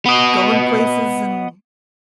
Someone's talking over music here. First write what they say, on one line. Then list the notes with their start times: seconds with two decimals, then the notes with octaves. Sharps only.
going places and,
0.06 B3 D#5